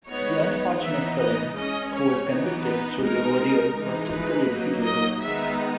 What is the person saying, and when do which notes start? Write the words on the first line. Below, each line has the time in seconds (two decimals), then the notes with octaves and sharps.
The unfortunate felon who was convicted through the ordeal was typically executed.
0.09 G#3 B3 D#4 C#5
0.82 E3 B3 D#4 E5
1.18 D#5
1.55 G#3 C#4 D#5
1.92 C#5
2.29 E3 B3 D#4
2.65 B4
3.02 G#3 D#4 A#4
3.76 E3 G#3 D#4
4.12 B4
4.49 F#3 A#3 D#4
4.85 D#5
5.22 D#3 G#3 B3 D#4 E5